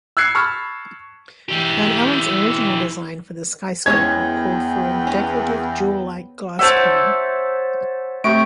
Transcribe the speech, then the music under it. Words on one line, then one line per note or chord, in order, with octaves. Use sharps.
Van Alen's original design for the skyscraper called for a decorative jewel-like glass crown.
E6 F#6 G#6 C7 C#7
A5 B5 C#6 E6 F6
E3 G4
E2 G#3 B3 C#4 C#5 G5 G#6
C#4
C5 C#5 E5 F#5 A5
C3 A3 C#6 D7